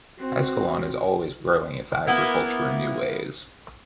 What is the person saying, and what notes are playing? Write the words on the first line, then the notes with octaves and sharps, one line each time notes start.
Escalon is always growing its agriculture in new ways.
C4 F#4
A#3 B3 E4